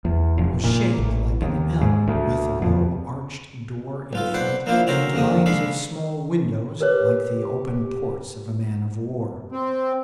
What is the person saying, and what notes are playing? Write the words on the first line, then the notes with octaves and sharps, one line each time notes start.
It was shaped like an L, with a low arched door in front, and lines of small windows like the open ports of a man-of-war.
E2
F1
A#2
A1
D#2
G#2
D2
F2
B1 F4 A4
B4 C5 D5 F#5
F3 A#3 D4 E4 F4 C5
C4 C#4 F#4 A4 A#4 C5
F2 A#3 D4 D#6
G#3 D4 A4 F5 B5 C#6
G4 A#4 B4 C#5
C4